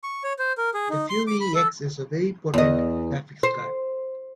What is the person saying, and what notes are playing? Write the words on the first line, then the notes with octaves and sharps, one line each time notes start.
The Fury X is a very potent graphics card.
C#6
C#5
C5
A#4
G#4
D#4
C6
D6
B5
A4
E2 D#5
C5